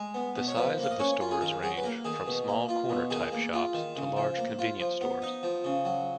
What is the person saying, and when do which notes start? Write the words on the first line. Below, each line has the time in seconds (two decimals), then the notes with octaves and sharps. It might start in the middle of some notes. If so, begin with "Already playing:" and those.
The size of the stores range from smaller corner-type shops to larger convenience stores.
Already playing: G#3
0.14 B3
0.36 B2
0.48 C#5
0.57 F3 B4
0.78 A#3
0.83 F5
0.91 D#5
0.99 C#4 C#5
1.21 F4
1.31 G#4
1.41 D#3 A#4
1.63 F#3 G#4
1.77 B4
1.83 A#3 A#4
2.05 D#3 G#4
2.27 B2
2.48 A#3
2.69 F4
2.89 B2
3.10 D#3 G#4
3.32 A#3
3.53 F4
3.74 D#3
3.95 C#3
4.16 F3
4.37 A#3
4.59 F4
4.80 F3
5.01 B3
5.22 D#4
5.43 F3
5.64 C#3
5.85 F#3